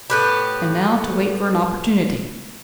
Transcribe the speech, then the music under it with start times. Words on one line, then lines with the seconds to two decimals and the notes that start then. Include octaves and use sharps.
And now to wait for an opportunity!
0.10 A2 B3 G4 B5 F#6 G6